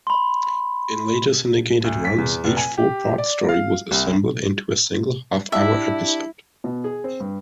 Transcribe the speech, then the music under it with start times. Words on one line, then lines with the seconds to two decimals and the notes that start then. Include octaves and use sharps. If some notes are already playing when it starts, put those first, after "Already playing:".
In later syndicated runs, each four-part story was assembled into a single half-hour episode.
0.07 B5 C6
1.84 D2
2.05 B6
2.18 E2
2.44 F1
2.57 G#5
2.78 G4
3.18 D5
3.49 F5
3.91 C2
5.52 D4 E4 G4 E5
6.64 B2
6.84 G#4
7.04 C4
7.20 G2